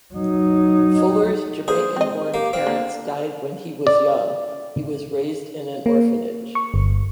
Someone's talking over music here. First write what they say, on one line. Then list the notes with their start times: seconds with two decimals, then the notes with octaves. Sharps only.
Fuller's Jamaican-born parents died when he was young; he was raised in an orphanage.
0.14 F#3 D#4
1.68 D3 A#3 G#4 C5
1.96 G#3 C4 D#5
2.34 A#3 G4
2.53 C4 F5
2.67 A#3 B3 D4
3.87 D5
5.86 A#3
6.55 C#6
6.74 G1